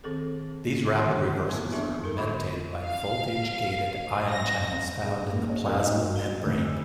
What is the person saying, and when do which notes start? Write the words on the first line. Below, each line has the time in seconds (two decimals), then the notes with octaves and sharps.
These rapid reversals are mediated by voltage-gated ion channels found in the plasma membrane.
0.04 D#3 C4 G#4 A4
0.95 D3 D#3 G4 E5 F#5 C6
1.49 A#3 B3 E4
1.72 E3 B3 D4 G#4 E5
2.04 D#4 A4 A#4
2.16 D3 E3 F#4 E5 B5 D6
2.83 F5
4.29 A#6
5.03 G#4
5.33 A#2
5.50 C#5
5.65 F#2
5.83 D#4
5.97 F#4
6.16 G7
6.45 D2
6.65 E6